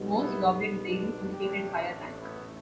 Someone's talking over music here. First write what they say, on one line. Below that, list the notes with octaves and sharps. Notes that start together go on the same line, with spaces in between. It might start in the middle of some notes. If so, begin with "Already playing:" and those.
More elaborate braiding indicated higher rank.
Already playing: B1 B2 G3
B3 E4
B3
D4
A1 A2 A3 D4 G4
D4
B3 E4